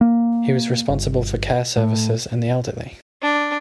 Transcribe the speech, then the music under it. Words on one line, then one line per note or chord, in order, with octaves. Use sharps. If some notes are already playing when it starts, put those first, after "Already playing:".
He was responsible for care services and the elderly.
A#3
G1
A2
D4